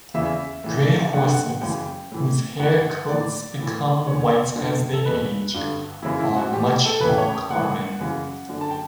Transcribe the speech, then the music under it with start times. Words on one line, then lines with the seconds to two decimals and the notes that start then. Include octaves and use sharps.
Gray horses, whose hair coats become white as they age, are much more common.
0.14 E2 C#3 E3 E5
0.64 A2 E3
1.13 G2 F#5
1.17 D3 G5
1.29 F#5
1.61 F#2 C#3 E3 G5
2.12 A2 E3
2.60 G2 E3 F#5
3.09 A2 E3 D5
3.58 A2 E3
4.07 E2 D3 C#5
4.56 F#2 D3
4.94 A4
5.05 E2 B2 B4
5.54 G2 D3
6.02 F#2 C#3 E3 E4
6.19 E4
6.36 F#4
6.52 A2 E3 G4
6.85 A4
7.01 E2 C#3 E3 B4
7.18 C#5
7.34 G5
7.50 A2 E3 F#5
8.00 F#2 C#3 E3
8.49 F#2 D3
8.61 A5
8.71 G5